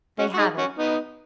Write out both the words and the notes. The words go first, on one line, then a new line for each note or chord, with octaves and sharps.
They have it.
C#4 F#4
F#4
D#4 G#4
C#4 F#4
B3 D#4